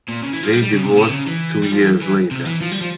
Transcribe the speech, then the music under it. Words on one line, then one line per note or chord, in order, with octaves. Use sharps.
They divorced two years later.
A#2
C#3
E3
F3
G3
G3
C#3
C3
A#2
C#3
C3
C#3
E3
G3
F3
E3
E3
C3
E3
F3
G3
F3